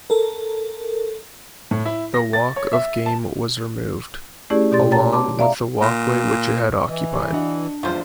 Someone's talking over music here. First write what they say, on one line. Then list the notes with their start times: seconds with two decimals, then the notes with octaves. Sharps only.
The Walk of Game was removed, along with the walkway which it had occupied.
0.10 A4 A#4
1.71 A2
1.85 E4
2.14 A#6
2.33 A6
2.56 C#5
2.73 E5
3.06 A5
4.50 A3 C#4 E4 G4 G#4 D5
4.72 B2 G4 D5 C6 A6
4.91 C#5 G5 A5 A#5 A6
5.13 A5 C6 D6
5.39 D5 E5 F5 A#5
5.82 A#2
6.88 E3 D#5
7.13 C3
7.33 D4 F#4 D#5 F#5
7.83 A1 E2 F3 F4 C5